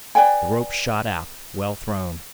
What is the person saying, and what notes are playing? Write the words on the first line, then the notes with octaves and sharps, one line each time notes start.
The rope shot out, well thrown.
B4 D5 G5 G#5